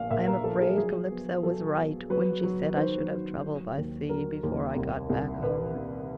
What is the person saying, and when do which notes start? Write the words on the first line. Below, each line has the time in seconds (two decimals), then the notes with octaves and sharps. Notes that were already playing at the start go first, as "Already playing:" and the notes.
I am afraid Calypso was right when she said I should have trouble by sea before I got back home.
Already playing: A#1 A#2 F5
0.10 A#2 E5
0.27 A#4
0.44 F3 A4
0.61 G#4
0.77 F#3 G#4
1.11 B3
1.43 F#3 A4
1.76 B3
2.10 F#3 B4
2.43 F#3
2.77 D#3 C5
3.10 F#3
3.43 F#3
3.77 D#2
4.09 F#3 A#4
4.43 D#2
4.76 C2
5.10 C2
5.42 A#2 B4
5.76 A#3